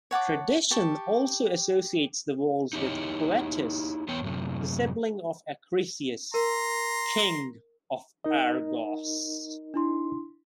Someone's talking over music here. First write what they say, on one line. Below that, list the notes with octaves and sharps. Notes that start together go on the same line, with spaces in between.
Tradition also associates the walls with Proetus, the sibling of Acrisius, king of Argos.
C#5 F#5 A5 D6
G4 A5 C#6
D#4 E4 G4 C#5 D#5
E2 B3 C#5 G5
F#2 A2 C3
A#4 A#5 C6
D#4 A#4 D#5
D4 E4 C6